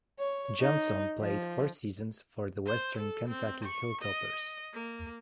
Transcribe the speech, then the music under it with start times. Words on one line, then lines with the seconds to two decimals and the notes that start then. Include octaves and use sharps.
Johnson played four seasons for the Western Kentucky Hilltoppers.
0.19 C#5
0.61 D#4
1.21 F3
2.66 C5
2.97 A4
3.30 C4
3.64 C#6
4.02 D#5
4.73 A#3